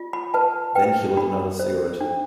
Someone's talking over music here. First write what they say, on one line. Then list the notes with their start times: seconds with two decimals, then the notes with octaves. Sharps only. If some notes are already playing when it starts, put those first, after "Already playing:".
Then he lit another cigarette.
Already playing: F4
0.13 B5
0.34 B4 A5
0.75 B4 G5
1.17 D4 B5
1.59 C5
2.01 D4